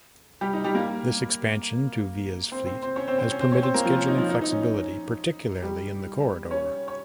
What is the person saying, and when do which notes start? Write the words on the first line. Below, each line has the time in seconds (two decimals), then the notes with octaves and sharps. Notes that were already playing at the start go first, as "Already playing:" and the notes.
This expansion to Via's fleet has permitted scheduling flexibility, particularly in the corridor.
0.41 G3 G4
0.53 D#4
0.64 G3 G4
0.75 A#3 A#4
2.52 C4 C5
2.67 C4 C5
2.82 C4 C5
2.96 C#4 C#5
3.08 C4 C5
3.18 C4 C5
3.30 C#4 C#5
3.41 C4 C5
3.52 C#4 C#5
3.63 C4 C5
3.74 A#3 A#4
3.85 F3 F4
3.97 C#4
4.08 D#4
4.18 F3 F4
4.29 D#4
4.41 D#4
4.52 C#4
4.62 D#4
5.62 G3 G4
6.51 C#4 C#5
6.88 C#5